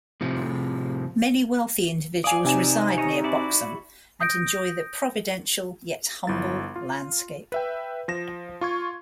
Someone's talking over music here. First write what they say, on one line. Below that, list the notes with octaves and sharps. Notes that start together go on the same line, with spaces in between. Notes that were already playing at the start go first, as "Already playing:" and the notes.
Many wealthy individuals reside near Boxholm, and enjoy the providential, yet humble landscape.
A2 C3 F3
D5 F5 G#5 D#6
C3 D#4 G#5 E7
C#5 D#5
E4 F#4 D5
D#6 G6 A#6 D7
G1 F3 E4 A6
F4
B4 E5 G5
F3 A#6 E7
F4 C#6 G#6